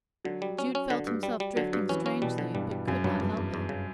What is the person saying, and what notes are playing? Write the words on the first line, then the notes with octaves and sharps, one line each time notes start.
Jude felt himself drifting strangely, but could not help it.
D3 F#3
G3
C#4
C#4
D3
G2
G3
G3
D3 F#3
G2
E3 C#4
C#4
B2 G3
D3
G2 G3
G3
F#2 C#3
G2 F#3
E2 G2
E2
E2
C#3